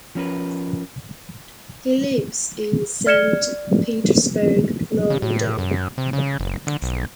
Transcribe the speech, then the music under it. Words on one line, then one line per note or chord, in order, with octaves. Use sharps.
He lives in Saint Petersburg, Florida.
F3 C#4 A#4 B4
D5 F6 G#6 C#7 E7 G7
C#3
A2
F#2
C3
C#3
F#1
D3
B1